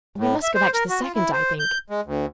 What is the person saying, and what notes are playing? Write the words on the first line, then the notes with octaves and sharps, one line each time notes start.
'We must go back to the second, I think.
A2
E5
C5
A#4
F#4
F4
E4
C5
G6
G#3
D2